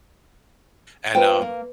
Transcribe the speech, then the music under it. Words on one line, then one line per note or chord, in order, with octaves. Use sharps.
and, um,
A#3 F4 B4 C5 G5
A#3